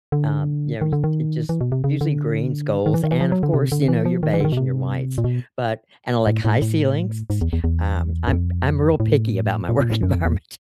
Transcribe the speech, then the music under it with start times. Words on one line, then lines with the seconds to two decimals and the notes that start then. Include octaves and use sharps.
Um, you know, y it just usually greens, golds, and, of course, you know, your beige and your whites, but and I like high ceilings, s um, I'm I'm real picky about my work environment.
0.12 D3
0.81 D#3
0.93 D3
1.04 D#3
1.49 E3
1.61 B2
1.72 C3
1.84 C#3
2.01 D3
2.86 D#3
2.94 E3
3.04 D#3
3.11 E3
3.21 F3
3.32 F#3
3.43 D3
3.54 C3
3.72 D3
3.88 E3
4.05 F3
4.23 D#3
4.34 E3
4.40 D3
4.45 D#3
4.52 B2
4.57 C3
5.18 A#2
5.24 B2
6.27 A2
6.45 A2
6.62 A2
7.30 G#2
7.41 E2
7.53 E2
7.64 E2
8.28 F#2
8.32 F2
9.00 A2
9.69 A#2
9.80 A#2
9.91 A2
10.03 F#2
10.14 F2
10.25 E2